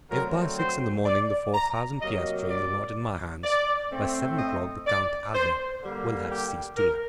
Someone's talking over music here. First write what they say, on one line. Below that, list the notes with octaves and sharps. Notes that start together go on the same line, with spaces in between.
"If by six in the morning the four thousand piastres are not in my hands, by seven o'clock the Count Albert will have ceased to live."
D3 F#3 A3 C4 A#4
C5
D5
A#5
C3 F#3 A#3 D#5
D5
D5
A2 A3 C4
D#5
D5
C5
D3 G3 A#3
G4
A#4